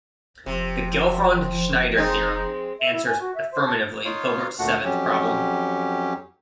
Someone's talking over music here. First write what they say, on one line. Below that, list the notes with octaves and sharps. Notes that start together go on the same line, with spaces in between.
The Gelfond-Schneider theorem answers affirmatively Hilbert's seventh problem.
F1 C3 F3
F1 G#3 C4 D#4
E5
E4
G#5
F#4
E5
C5
A5
D#4 F4 C#5 F5
D2 A#2 A3 D4 F#4 F#5
F2 F#3 C#4 G4